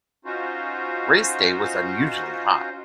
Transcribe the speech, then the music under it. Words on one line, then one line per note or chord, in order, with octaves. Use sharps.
Race day was unusually hot.
C#4 D#4 F4 F#4 C5